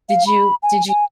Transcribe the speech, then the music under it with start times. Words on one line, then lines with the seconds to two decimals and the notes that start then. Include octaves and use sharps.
did you did you
0.09 F5
0.27 B5
0.63 G#5
0.89 G#5